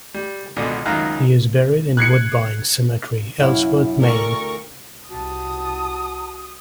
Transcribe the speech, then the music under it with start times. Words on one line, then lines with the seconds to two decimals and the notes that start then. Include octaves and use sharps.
He is buried in Woodbine Cemetery, Ellsworth, Maine.
0.14 G3
0.56 G#1 C#2 B2 D3 D4
0.85 C#2 F#2 D#3 F5 A#5 F#6
1.97 F#6 G#6 C7 C#7
3.38 F#2 E4 F5
4.02 D2 A#4 C#6
5.10 C2 F#4 A5 D#6